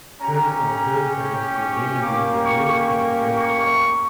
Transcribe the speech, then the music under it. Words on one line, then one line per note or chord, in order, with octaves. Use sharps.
His or her face will then be revealed for the first time.
C#4 G4 A#5
A#5
C#6
A#3 C#4 G4 D6
C#6
C#6